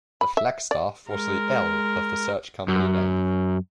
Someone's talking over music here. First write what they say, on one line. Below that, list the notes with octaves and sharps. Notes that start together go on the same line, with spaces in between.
The flagstaff was the "L" of the search-company name.
B5
E5
D5
G#3 A#4
F#2